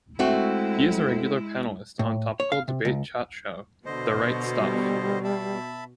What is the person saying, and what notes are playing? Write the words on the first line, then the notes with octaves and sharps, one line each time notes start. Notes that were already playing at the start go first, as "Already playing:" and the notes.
He is a regular panellist on topical debate chat show "The Wright Stuff".
G#3 A3 C4 E4 F#4
A2
C#5
F5
C3
C#2
B2 D3 C5 D#5
G3
E5 A5 B5